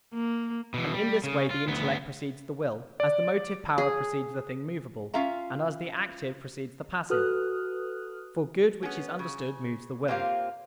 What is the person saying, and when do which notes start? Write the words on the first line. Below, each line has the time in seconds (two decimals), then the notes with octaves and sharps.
And in this way the intellect precedes the will, as the motive power precedes the thing movable, and as the active precedes the passive; for good which is understood moves the will.
0.14 A#3
0.74 B2 E3
0.93 G3
1.24 C#3
1.51 F4
1.68 D2 B3
3.00 D5
3.78 G#4
5.14 C#4 F4 E5 F5 A#5
7.10 F#4 A4 B4 D#6 F6 F#6
8.83 B3 C#4
9.19 C#3
10.08 A#3 C4 F4 G4 F5